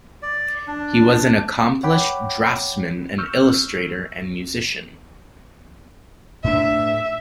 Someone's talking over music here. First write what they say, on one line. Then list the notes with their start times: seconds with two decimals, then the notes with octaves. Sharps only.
He was an accomplished draftsman and illustrator and musician.
0.22 D5
0.67 D4
1.83 C#5 F#5 G5 B5 D6
3.18 C#6 E6 F6 G6
6.44 A2 D4 E5